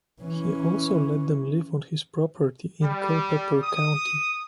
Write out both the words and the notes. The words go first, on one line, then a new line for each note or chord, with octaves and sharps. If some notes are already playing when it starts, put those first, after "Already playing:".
He also let them live on his property in Culpeper County.
E3 C#4
G3
D#6